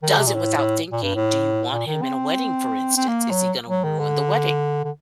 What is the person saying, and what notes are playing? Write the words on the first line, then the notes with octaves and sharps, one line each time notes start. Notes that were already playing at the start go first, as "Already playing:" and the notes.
does it without thinking, do you want him in a wedding for instance? Is he gonna ruin the wedding?
D#3
D3
C3
A#2
A2
A2
A#2
G2
A2
A#2
D#3
C4
C4
A#3
F#3
F#3
D#3
D3
D3